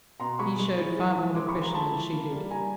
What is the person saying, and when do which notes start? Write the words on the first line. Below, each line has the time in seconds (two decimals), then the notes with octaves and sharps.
He showed far more depression than she did.
0.20 B2 A#5 C6
0.39 G#3 B5 C#6
0.59 G#3
0.78 E3
0.97 G#3
1.16 E3
1.35 G#3 C6 D6
1.48 B5 C#6
1.55 F3
1.62 A#5 C6
1.74 A3 A5 B5
1.93 E3
2.12 A#3
2.32 G3
2.50 G3 G#5 A#5